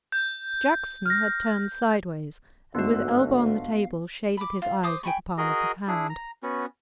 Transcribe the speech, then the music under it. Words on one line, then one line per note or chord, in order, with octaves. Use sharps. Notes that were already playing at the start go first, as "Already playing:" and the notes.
Jackson had turned sideways, and with elbow on the table shaded his eyes with the palm of his hand.
G6
F6 A#6
G1 D2 G#2 B3 F#4 E6 F#6
F5
B5 D6
F4
C5 D6 D#6
G5 G#5 B5 C#6
F#4 G#4 A#4 D#5
D4 E4 G#4
A#5
B3 C#4 F#4